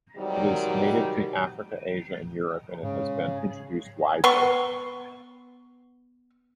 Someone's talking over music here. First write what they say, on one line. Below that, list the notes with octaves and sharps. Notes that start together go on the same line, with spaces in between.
It is native to Africa, Asia, and Europe, and it has been introduced widely.
G#2 C3 D#3 F#3 G3
G#2 C#3
B3 C6 C#6